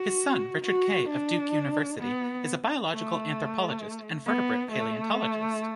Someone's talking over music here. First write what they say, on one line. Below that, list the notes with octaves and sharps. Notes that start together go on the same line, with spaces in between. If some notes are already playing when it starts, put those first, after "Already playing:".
His son Richard Kay of Duke University is a biological anthropologist and vertebrate paleontologist.
Already playing: F#4
F#4
D4
B3
A3
B3
A3